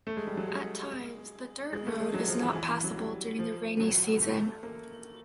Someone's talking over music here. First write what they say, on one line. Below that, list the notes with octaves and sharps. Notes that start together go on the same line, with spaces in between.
At times, the dirt road is not passable during the rainy season.
A3
G#3
G3
F#3
G#3
G#3
A3
G#3
F#3
F3
E3
E3
E3
F#3
G3
F3
F#3
A3
A#3